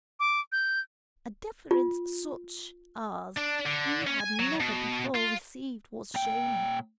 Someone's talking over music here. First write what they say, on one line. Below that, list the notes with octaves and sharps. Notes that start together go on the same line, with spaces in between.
A deference such as he had never before received was shown him.
D6
G6
F4
D4
D3
C#4
G#5
F#3
B2
F4
A#2 G5